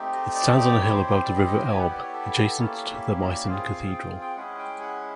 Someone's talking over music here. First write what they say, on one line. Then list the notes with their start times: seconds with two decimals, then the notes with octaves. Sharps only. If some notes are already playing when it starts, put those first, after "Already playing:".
It stands on a hill above the river Elbe, adjacent to the Meissen Cathedral.
Already playing: A3 C4 D#4 G4
0.12 D#5
0.35 D5
0.57 D5
0.80 C4 E4 G4 C#5
0.94 C5
1.10 C5
1.24 D5
1.36 D#5
1.47 D#5
1.58 G5
1.68 B3 E4 G4 G#5
1.79 F#5
1.91 D5
2.02 C#5
2.13 A4
2.58 A#3 C#4 E4 G4
3.21 D#5
3.24 D5
3.46 C4 F4 G#4 F5
3.92 G5
4.21 G5
4.36 G#3 C#4 E4 G#4 F#5
4.58 G5
4.81 F#5